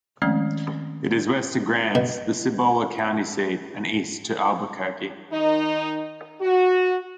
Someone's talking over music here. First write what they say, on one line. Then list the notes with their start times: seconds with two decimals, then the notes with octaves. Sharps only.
It is west to Grants, the Cibola County seat, and east to Albuquerque.
0.22 D#3 F3 G#3 A3 C4 C#4
1.95 B2
5.33 D#3 D#4
6.42 F#4